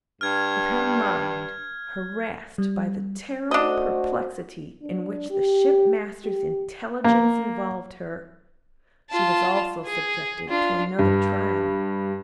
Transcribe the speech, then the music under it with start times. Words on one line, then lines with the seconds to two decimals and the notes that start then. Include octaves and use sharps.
With her mind harassed by the terrible perplexity in which the shipmaster's intelligence involved her, she was also subjected to another trial.
0.21 G2 F6 G#6
2.58 G3
3.51 A3 D4 F#4 C5 D#5
4.82 D4
5.30 G4
6.24 G4
7.04 A#3
9.10 F4 A5
9.85 G#4
10.49 D4 F4
10.99 G2